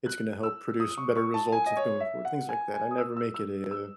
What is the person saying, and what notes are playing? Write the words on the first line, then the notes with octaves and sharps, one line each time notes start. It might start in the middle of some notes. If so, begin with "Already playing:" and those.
it's gonna help produce better results of going forward, things like that I never make it a, uh
F#6
E6
D#6
C#6
C#6
A5
G#5
D#5
C#5
E5
F#5
G#5
G#5
D#6
E6
E6
E6
E6